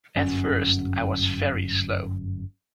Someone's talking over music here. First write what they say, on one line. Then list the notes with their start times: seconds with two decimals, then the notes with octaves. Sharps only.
At first I was very slow.
0.16 G1 F#2 C#4